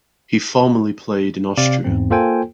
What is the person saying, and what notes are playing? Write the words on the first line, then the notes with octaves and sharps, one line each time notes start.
He formerly played in Austria.
C3 C4 D5 F5
E2 G#2 C4
A#3 F4 A4 C5 G5 G#5